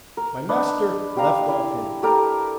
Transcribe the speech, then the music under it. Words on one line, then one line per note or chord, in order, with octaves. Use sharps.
My master left off hitting me.
A#4
D4 B4 D#5
G4 D5 F5 A#5
E4
G4 A4 A#4 A#5